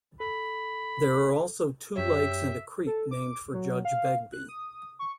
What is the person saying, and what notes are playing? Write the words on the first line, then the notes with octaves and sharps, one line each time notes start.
There are also two lakes and a creek named for Judge Begbie.
A4 B5
F#2 G4 C#5 E5
A4
D6
F#3
F5
F#6
D#6
C#6